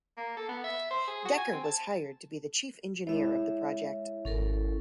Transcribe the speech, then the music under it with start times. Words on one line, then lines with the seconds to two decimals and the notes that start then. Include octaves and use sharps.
Decker was hired to be the chief engineer of the project.
0.17 A#3
0.37 A4
0.49 B3
0.64 E5
0.90 C5
1.07 G#4
1.25 F#4
1.38 G#5
1.53 C4
1.64 A5
3.07 G#3 E4 C#5 E5
4.25 G#1 G#2 C#4 A4 A#4